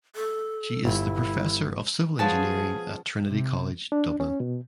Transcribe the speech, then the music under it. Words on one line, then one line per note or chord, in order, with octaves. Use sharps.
She is the Professor of Civil Engineering at Trinity College Dublin.
A4
G1 E4
F3 B3 C#4 G#4 A5
C3
D4
C#4
B2